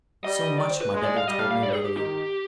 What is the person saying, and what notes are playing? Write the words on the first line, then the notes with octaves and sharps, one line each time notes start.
So much my double told me readily.
G3 D#5
D5
C5
B4
G#3
D5
F5
G3 D#5
F5
F5
D5
G#4
G4
D#3 G4